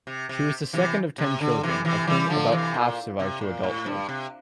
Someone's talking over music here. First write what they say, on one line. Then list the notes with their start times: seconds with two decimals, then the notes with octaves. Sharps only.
She was the second of ten children, of whom about half survived to adulthood.
0.07 C3
0.29 C3
0.73 C3 E3
1.18 C3
1.41 D3
1.63 C3 E3
1.85 C3 E3
2.07 E3 G3
2.30 D3 F3
2.52 C3 E3
2.74 A#2
3.20 C3
3.41 A#2
3.64 A2
3.86 G2
4.09 C3